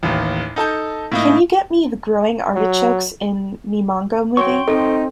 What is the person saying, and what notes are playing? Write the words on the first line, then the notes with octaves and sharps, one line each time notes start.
Can you get me the Growing Artichokes in Mimongo movie?
A1 D#2
D#4 A4 A5 G6
A2 A#3 D#4
F#3
F#3 G5 C6 C#6
C4 D#4 A4